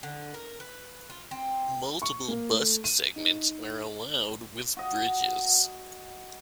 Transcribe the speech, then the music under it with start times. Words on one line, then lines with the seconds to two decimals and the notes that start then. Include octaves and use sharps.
Multiple bus segments are allowed with bridges.
0.03 D3
0.34 A#4
0.60 B4
1.10 F4
1.31 C4
2.02 C#6
2.28 A#3
2.49 A3
2.84 D#7
3.16 D#4
4.77 F#4 D#5